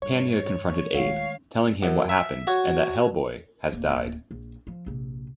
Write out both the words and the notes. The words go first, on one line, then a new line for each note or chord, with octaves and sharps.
Panya confronted Abe, telling him what happened and that Hellboy has died.
G2 C#5
D#1 D#3 G#3 A3 F4 F5
F#2
E5
F#4 C#5
D1 A#3
A#1
F3
A#1 C3